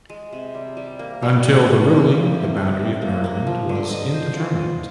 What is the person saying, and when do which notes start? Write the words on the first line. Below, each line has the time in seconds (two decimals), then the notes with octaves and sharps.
Until the ruling, the boundary of Maryland was indeterminate.
0.10 G#3
0.33 C3
0.54 G3
0.77 G3
0.99 A#3
1.22 G3
1.45 G3
1.67 G3
1.90 G3
2.11 A#3
2.34 C3
2.57 C3
2.79 C3
3.02 A#3
3.24 A#3
3.47 F3
3.69 D3
3.91 D#5
4.14 C5
4.37 F4
4.59 D#5